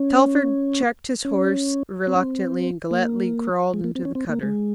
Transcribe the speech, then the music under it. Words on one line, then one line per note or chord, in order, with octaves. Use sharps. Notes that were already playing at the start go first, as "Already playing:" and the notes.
Telford checked his horse reluctantly and Galletly crawled into the cutter.
Already playing: C#4
C#4
C4
C#4
C4
A#3
G#3
A#3
C4
C#4
C4
A#3
G#3